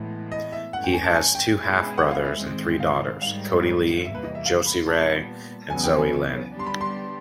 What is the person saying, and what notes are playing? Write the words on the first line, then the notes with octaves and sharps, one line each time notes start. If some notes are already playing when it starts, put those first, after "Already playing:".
He has two half-brothers and three daughters, Koddi Lee, Jossi Rae and Zoey Lyn.
Already playing: A2 E3 G#3 B3
D#5
E5
G2 E3 A3 C#4 F#5
G5
G#5
A5
G#5
G5
B2 G#3 C#4 E4 G#4
F#5
F5
E5
G#2 D#3 G#3 C4
F5
G#2 D#3 G3 F5
E2 C3 E3 G3 A#3 E5
B4
D#5
E5
F5
B5
A#2 G3 B3 A5
E2 C#3 F#3 B3 G#5
G5
G#5
D3 G3 B3 D4 G4
C6
B5
C6